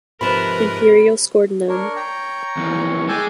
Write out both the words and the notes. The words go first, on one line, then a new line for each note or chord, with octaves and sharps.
Imperial scored none.
G#2 C3 F3 A#4 B4 A5 B5
D4 A#4 C#5
G5 A#5
D#2 E3
G#3 A4 G5 G#5 D6